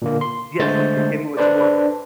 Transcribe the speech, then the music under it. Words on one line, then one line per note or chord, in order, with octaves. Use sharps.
Yes, you're getting what you want
A#2 D3 A#3
C6
D3 G#3 A3 C5 G6 A6
D4 A4 B4 C5 D5